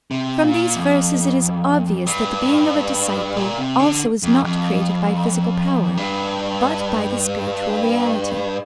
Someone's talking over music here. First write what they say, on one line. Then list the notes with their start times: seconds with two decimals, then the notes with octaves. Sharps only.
From these verses it is obvious that the being of a disciple also is not created by physical power, but by the spiritual reality.
0.11 C3
0.43 A#2
0.76 F2
2.06 G2
3.36 A#2
3.58 C3
3.80 D3
4.23 F2
4.44 F2
5.97 G2